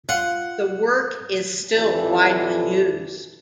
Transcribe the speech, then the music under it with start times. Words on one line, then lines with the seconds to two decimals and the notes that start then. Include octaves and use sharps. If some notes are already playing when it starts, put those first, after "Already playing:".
The work is still widely used.
0.09 F4 F#5
1.76 F2 E3 F4 G4 A4 D5